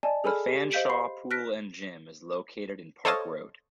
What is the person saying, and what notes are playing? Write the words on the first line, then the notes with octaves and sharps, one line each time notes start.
The Fanshawe Pool and Gym is located in Park Road.
D5 D#5 G#5 A5
G#4 A4 G#5 B5 F6
G4
C5 D#5 F5 G6 B6 D7
B5 C6 C7
F6 F#6 A#6 B6 D7
A4 C5 C#5 D#5 F5 A5